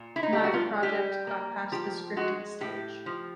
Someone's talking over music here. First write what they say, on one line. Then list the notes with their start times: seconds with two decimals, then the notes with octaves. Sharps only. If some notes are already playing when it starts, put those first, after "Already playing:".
Neither project got past the scripting stage.
Already playing: A#2
0.16 E4
0.23 D#4
0.33 G4
0.38 G3
0.44 F#4
0.53 F4
0.83 G3 G4
1.27 A#3
1.72 F3 G4
2.17 G#3 F#4
2.61 A2 G4
3.06 F3